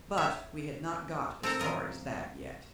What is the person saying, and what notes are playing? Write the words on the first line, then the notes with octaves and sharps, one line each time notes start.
But we had not got as far as that yet.
C#5 E5
C4 A4 A#4 A#5
E3 F4 A#4 D#5